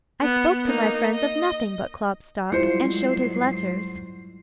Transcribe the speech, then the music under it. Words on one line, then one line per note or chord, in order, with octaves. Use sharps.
I spoke to my friends of nothing but Klopstock, and showed his letters.
B3
A#3 D#4
D#5
G#2 F#3 G3 E4 F4 C5 C7 C#7